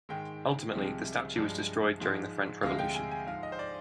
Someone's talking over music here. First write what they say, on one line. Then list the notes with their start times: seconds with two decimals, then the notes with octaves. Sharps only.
Ultimately, the statue was destroyed during the French Revolution.
0.09 G#2 D#3 G#3 G5
0.73 C2 C3 F3 G#3
1.36 G2 F3 G#3
2.00 G#2 F3 G#3
2.63 D2 C3 F3 G#3 F5
2.78 G5
2.94 G#5
3.11 G#5
3.26 G#2 F3 G#3 F5
3.43 D#5
3.52 C5
3.59 D5